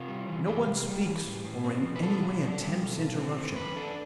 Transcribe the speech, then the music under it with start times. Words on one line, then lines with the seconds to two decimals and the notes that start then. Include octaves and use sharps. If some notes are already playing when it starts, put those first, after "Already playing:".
No one speaks, or in any way attempts interruption.
Already playing: C3 F4
0.08 G3
0.28 E3
0.47 C3 G4
0.66 C3
0.86 G3
1.05 E3
1.25 A2
1.45 A2
1.64 C4
1.83 F3
1.96 B4
2.02 B2 A4
2.21 B2
2.41 D4
2.61 G3
2.79 B2
2.98 B2
3.18 C4
3.37 A3
3.56 F2 B4
3.76 D4 A4